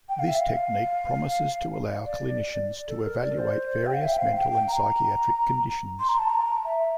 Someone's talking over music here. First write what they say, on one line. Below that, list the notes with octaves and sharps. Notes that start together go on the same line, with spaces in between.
This technique promises to allow clinicians to evaluate various mental and psychiatric conditions.
G5
F5
E5
F5
D5
A4
A#4
D5
C5
G5
F5
E5
G5
F5
G5
G5
A#5
C6
A#5
A5
A#5
E5